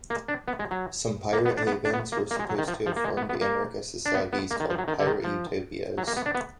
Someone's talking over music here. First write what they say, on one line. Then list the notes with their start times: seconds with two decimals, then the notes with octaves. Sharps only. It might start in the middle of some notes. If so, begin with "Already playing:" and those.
Some pirate havens were supposed to have formed anarchist societies called pirate utopias.
0.10 A#3
0.28 D4
0.48 B3
0.59 G#3
0.71 F#3
1.33 A#3
1.45 B3
1.57 D4
1.67 B3
1.85 D4
1.93 B3
2.12 A#3
2.31 A#3
2.39 G#3
2.49 F#3
2.58 D#3
2.68 F3
2.86 F3
2.96 A#3
3.04 G#3
3.17 B3
3.29 B3
3.41 A#3
4.06 D4
4.15 B3
4.33 B3
4.51 A#3
4.60 D#3
4.70 F3
4.78 F#3
4.88 D#3
5.00 D3
5.07 D#3
5.24 F3
5.98 F#3
6.07 A#3
6.17 B3
6.26 D4
6.35 B3